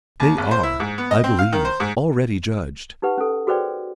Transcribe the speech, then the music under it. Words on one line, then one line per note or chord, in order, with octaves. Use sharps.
They are, I believe, already judged.
D#2
G#1
C5
E4
G#2
B3
D#5
C4
F5
D#3
C5
G#2
D#4 G4 B4 F#5
C#4 A4
F#4 G#4 B4 C5 D5 G5